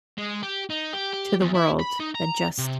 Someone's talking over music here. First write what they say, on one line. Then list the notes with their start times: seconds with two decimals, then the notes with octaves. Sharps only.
to the world than just
0.18 G#3
0.43 G4
0.70 D#4
0.93 G4
1.13 G4
1.40 E2
1.54 E4
1.79 B5
2.00 D#4
2.15 A#5
2.58 C3